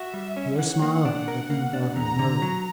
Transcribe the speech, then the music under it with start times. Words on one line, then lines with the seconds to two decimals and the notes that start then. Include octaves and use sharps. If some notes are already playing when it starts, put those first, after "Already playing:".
Pierre smiled, looking about him merrily.
Already playing: F#4 E5
0.14 G3
0.37 C#4
0.59 E3 F#5
0.82 A#3
1.05 D4
1.28 A#4
1.50 A#3
1.73 D4
1.96 E2 A#5
2.19 D3
2.42 F#3